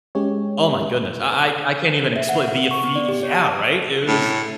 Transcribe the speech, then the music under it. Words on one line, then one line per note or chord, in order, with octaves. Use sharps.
oh my goodness, I I I can't even explain the ephe Yeah, right? It was,
G#3 C#4 G4 C#5
E5
F#5
F5
C#6
B3
D5
G4
C#5
A5
A2